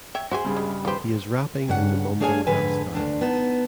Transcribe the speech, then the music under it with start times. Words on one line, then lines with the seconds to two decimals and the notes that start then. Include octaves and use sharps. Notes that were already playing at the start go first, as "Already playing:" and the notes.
He is rapping in the mumble rap style.
0.15 C#5 E5 G5
0.31 F#4 G#4 C5 E5 G#5
0.45 G2 C#3 G3
0.57 G#3
0.85 D#3 F4 G4 B4 C5
1.68 G2 C#3 F#5
2.20 A3 D4 G#4 C#5 F5 G#5
2.47 F2 G#2 D3 A4 B4 G#5
2.95 D2 D#3 D4
3.21 B3 D#4 A5